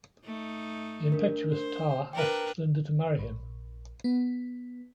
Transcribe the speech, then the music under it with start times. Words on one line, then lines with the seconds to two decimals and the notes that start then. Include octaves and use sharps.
The impetuous Ta asks Linda to marry him.
0.24 A3 D#4
1.12 D4 A#4
1.52 C5
2.13 D4 A#4 B4 G5 A#5
3.19 A#1
4.04 B3